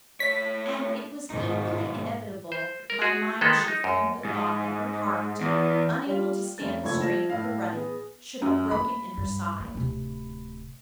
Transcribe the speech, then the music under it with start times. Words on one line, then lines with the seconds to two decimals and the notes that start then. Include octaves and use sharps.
And it was equally inevitable my mind should frame the thought that her heart, unable to stand the strain of the running, should have broken in her side.
0.20 A3 C#5 B6
1.30 G#2 B2 D#3 D#4
2.52 C5
2.90 A#4
3.02 F#4 G#4
3.41 D#3 G#3 B3 A4
3.68 D#4
3.84 F#2
4.25 G#2
5.41 E2
6.06 G3 F4
6.58 F1 C#4 A6
6.83 F#1 C#2 F3 A3 C#6 G#6
7.00 F3 E5 A#6 E7
7.30 A2 E4 F5
7.72 B3 G#4
8.42 F#2
8.71 A#3 B5
9.17 G2
9.60 A#3
9.75 D1 C3